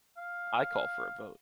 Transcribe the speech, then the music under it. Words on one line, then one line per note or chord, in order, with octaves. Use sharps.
I call for a vote.
F5